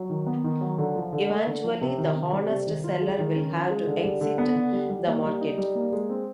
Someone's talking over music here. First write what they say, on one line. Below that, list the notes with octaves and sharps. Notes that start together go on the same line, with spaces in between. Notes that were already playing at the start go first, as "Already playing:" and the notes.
Eventually, the honest seller will have to exit the market.
Already playing: F#3
D#3
B3
D#3
F#3
D3
F3
D3
A3
D3
F3
C3
D#3
C3
G3
C3
D#3
F4
G#3
D#3
C#4
F4
G#3
D3
G3
D3
B3
D3
G3
G3
A#3
G3
D#4
G3
A#3
G#3
C4